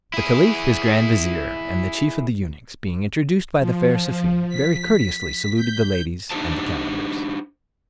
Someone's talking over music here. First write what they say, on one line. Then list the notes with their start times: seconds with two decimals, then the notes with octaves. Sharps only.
The caliph, his grand vizier, and the chief of the eunuchs, being introduced by the fair Safie, very courteously saluted the ladies and the calenders.
0.14 E4 G#4
3.60 F3
4.49 B6
5.56 G6
6.31 D4 D#4 G4 C5 A5